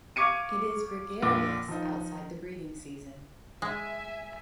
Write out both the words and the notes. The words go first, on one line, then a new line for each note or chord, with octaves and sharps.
It is gregarious outside the breeding season.
F5 C#6 D6 G#6 C#7 D#7
A#1 F2 A#2 D6 A#6
F3 D#4
G#3 E5 G#5